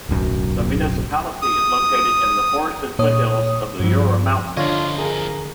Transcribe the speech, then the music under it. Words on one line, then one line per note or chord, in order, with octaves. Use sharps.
The municipality is located in the forested foothills of the Jura Mountains.
D1 B1 F#2
D#6
A#2 C#5 D#6
G2 F3
D3 F3 D4 F4 C#5 D#5
G#4 A#4